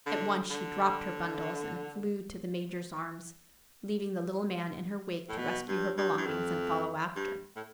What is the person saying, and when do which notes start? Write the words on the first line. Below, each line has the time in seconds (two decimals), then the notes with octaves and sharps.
At once she dropped her bundles and flew to the Major's arms, leaving the little man in her wake to rescue her belongings and follow after.
0.06 D3
0.50 D3
5.29 A2
5.38 B2
5.68 G2
5.97 G2
6.17 G2
6.27 F2
7.16 G2
7.56 A2